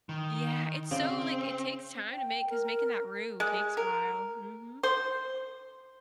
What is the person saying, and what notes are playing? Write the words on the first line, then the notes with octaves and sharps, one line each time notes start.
Yeah, it's so, like it takes time to make 'cause making that roux takes a while, mhm.
D#3
C#3 C4 D5
G5
A#4
G#3
A#4
C5